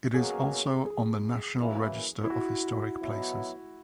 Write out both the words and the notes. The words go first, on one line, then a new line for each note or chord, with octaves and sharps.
It is also on the National Register of Historic Places.
B2 F#3 A#3 C#4 G#4
G#4
F#2 E3 A#3 E4
E4
F#4
B2 F#3 B3 E4